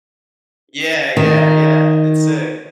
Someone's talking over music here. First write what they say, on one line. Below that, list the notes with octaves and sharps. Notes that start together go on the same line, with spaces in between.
Yeah, yeah, yeah, it's sick.
D#3